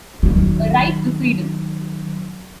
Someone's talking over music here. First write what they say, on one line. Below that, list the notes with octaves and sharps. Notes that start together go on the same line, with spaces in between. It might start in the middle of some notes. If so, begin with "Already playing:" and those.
A right to freedom.
D#3 F#3